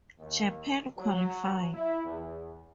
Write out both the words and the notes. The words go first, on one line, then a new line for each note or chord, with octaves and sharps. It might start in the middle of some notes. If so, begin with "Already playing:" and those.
Japan qualify.
D#2
F#3
E4
E2